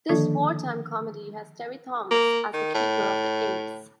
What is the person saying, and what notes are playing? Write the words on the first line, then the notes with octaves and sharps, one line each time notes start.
This wartime comedy has Terry-Thomas as the keeper of the apes.
D3 D#3 F3 A#3 D4 A4
A#3
D#3
A2